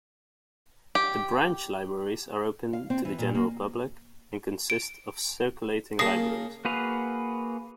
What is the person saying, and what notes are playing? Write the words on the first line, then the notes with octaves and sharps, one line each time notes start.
The branch libraries are open to the general public and consist of circulating libraries.
G4
F5
C4
E3
A#2
A#3
D7
C#3 A#3 A5 D#6 A#6 C7
A#3 F#4 G#4 B4 F5